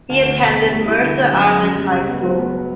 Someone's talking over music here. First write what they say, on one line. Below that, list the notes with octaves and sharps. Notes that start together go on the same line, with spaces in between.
He attended Mercer Island High School.
D2
D3
E1
A3
G3
E4
D3
D3
F#2
F#2
F#2
G3
C#2
B3
F#3
B3